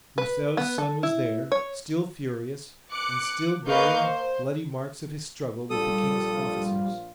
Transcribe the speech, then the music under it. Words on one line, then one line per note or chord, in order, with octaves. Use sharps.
Broussel's son was there, still furious, and still bearing bloody marks of his struggle with the king's officers.
B4
B3
A4
E4
C#5
D6 F#6 C#7
A#3 B4 D#5 F5 C#6 G6
C5
A#1 G3 F4 A4 D#6